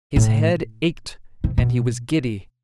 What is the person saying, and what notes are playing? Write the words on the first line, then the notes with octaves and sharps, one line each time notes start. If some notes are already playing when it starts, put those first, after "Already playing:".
His head ached and he was giddy.
A2
C3
B2